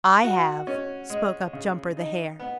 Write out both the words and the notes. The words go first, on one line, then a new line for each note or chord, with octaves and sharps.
"I have," spoke up Jumper the Hare.
F#4
C#4
G#3
C#3
D#4
B3